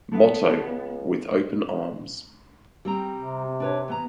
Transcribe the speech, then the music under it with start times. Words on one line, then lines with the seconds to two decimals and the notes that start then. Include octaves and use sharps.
Motto: With Open Arms.
0.12 B3 A4
0.66 C#2
2.85 G3 C4 A#5
3.17 C3
3.60 D4 B4 C#5
3.88 E3 B3 A#5